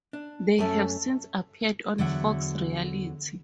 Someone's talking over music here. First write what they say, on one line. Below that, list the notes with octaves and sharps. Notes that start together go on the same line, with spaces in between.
They have since appeared on Fox Reality.
D4
F#2 A3 C#4 A4
E2 D3 F#3 E5 F#5